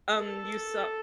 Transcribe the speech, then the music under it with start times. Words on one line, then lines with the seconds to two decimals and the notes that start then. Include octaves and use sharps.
um, you saw
0.16 A4